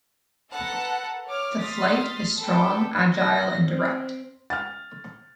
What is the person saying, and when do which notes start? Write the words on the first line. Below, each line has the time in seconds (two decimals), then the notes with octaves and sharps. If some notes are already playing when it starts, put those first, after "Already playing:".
The flight is strong, agile and direct.
0.52 A4 B4 F#5 A5 A#5
1.25 C#5 D6 F6
1.60 C6 D#6 F6 A6 B6
2.38 A4 B4 G5
3.14 A#6
3.70 C4
4.50 F6 A6